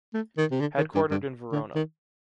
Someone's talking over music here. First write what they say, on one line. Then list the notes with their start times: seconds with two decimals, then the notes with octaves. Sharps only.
Headquartered in Verona.
0.14 A3
0.37 D#3
0.51 C3
0.60 D3
0.77 D#3
0.95 G2
1.11 G2
1.52 D3
1.75 D#3